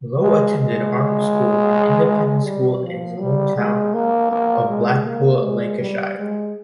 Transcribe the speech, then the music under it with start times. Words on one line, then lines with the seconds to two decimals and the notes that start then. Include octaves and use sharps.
Lowe attended Arnold School, an independent school in his home town of Blackpool, Lancashire.
0.21 G#3
0.58 G#3
2.46 G3
2.83 F3
3.20 G3
3.57 G#3
3.94 A#3
4.32 A#3
4.69 G#3
5.07 A#3
5.44 G#3
5.81 G3
6.18 G#3